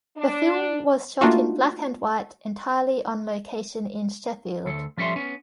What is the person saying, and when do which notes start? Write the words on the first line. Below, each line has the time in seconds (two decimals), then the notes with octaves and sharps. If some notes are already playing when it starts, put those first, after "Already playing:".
The film was shot in black-and-white entirely on location in Sheffield.
0.17 D4
1.21 A3 A#3 D4 D#4 F4 F#4
4.65 D2 A4
4.97 F3 G3 C#4 A4 E5 C6
5.16 B3 C#4